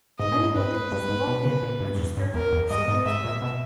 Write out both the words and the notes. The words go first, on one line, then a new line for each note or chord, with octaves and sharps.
Anyone can just walk-in, register, and exhibit his work.
G#2 D#5
A#2
G#2
G2 B4
G2
G#2
B2
C#3
A#2
G2
G2
E2
G2
E2 A#4
E2
G2 D#5
G#2
G#2 E5
A#2
B2